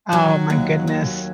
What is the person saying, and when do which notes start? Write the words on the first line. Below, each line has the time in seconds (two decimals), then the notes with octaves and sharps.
Oh my goodness.
0.12 D#3 F#3
0.50 D#2
0.87 D#2